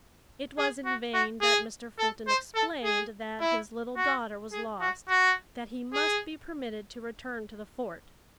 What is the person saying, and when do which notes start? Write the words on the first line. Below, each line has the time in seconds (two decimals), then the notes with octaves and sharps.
It was in vain that Mr. Fulton explained that his little daughter was lost, that he must be permitted to return to the fort.
0.58 G#4
0.85 F#4
1.14 F#4
1.42 G#4
1.98 A4
2.27 C5
2.55 A4
2.84 G#4
3.40 E4
3.96 F#4
4.53 G#4
4.81 F#4
5.08 F#4
5.94 G#4